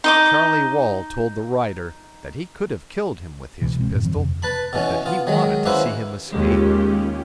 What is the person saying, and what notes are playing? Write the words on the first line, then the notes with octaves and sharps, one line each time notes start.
Charlie Wall told the writer that he could have killed him with his pistol, but that he wanted to see him escape.
D#4 D#5 D6
C#2 B2 E3
B2 G#3 C4
F#2 A2
D#3 F3 F#3 C4
F2 C3
B4 A5 B5
B2 E3 C#4
B3 F4
D#3 F#3 G#3
A#3 C#4 E4 F#4 B4 C5
D#2 G#3 C#4 F4 G4